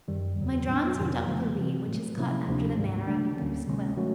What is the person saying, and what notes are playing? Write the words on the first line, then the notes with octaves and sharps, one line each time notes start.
My drawings are done with a reed which is cut after the manner of a goose quill.
F#2 D#3 G3
E2 C#3 F#3
A2 F#3 B3 D4
F2 C3 D#3 F#3
C#3 F3 A3
C3 E3 G3 C4
A2 F#3 A3
C3 F3 A#3 C#4 E4
D2 C3 F3 A#3 D4
G#2 D#3 G3
C#3 F3 A3 D4
D2 D3 F#3 A#3 C#4
C3 D#3 G#3 C#4
D#3 F#3 A3 C#4 F#4